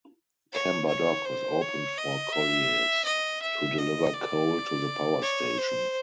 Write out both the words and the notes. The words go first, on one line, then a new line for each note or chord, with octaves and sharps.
Camber Dock was opened for colliers to deliver coal to the power station.
C#5
C#5
C5
C#5
D#5
E5
D#5
E5
D#5
D5
C#5
C5